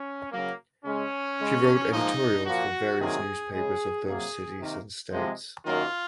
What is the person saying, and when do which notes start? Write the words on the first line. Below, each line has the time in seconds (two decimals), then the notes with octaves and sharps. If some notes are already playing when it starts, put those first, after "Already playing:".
She wrote editorials for various newspapers of those cities and states.
Already playing: C#4
0.32 C#3 F#3 A#3
0.85 C#3 G#3 C#4
1.39 C#3 G#3
1.92 G#2 F3 A#3 D#4
2.45 A#2 F3 A#3 F#4
2.99 C3 D#3 F#3 A#3 G#4
3.51 C#3 G#3 G#4
4.05 C3 F#3 A#3 G#4
4.59 C3 D#3 A#3
5.12 C3 F3 G#3
5.64 F#2 D#3 F#3 A#3 F4